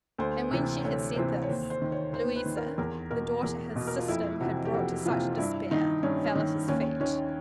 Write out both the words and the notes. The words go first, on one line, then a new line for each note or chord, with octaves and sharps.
And when she had said this, Louisa, the daughter his "system" had brought to such despair, fell at his feet.
D2 C5
C3 E3
D2 C#5
C3 E3 C5
C#5
D#2 C5
C5
D#3
C#5
D#2 C5
B4
D#3
A#4
E2 A#4
B2 A#4
E2 A#4
B2
A#4
F4
F2 E4
C3 E3 F#4
G4
F2 F#4
C3 E3 F4
G2 E4
D#3 D#4
G2 C#4
C#4
D#3
D#2 C#4
D#3 C#4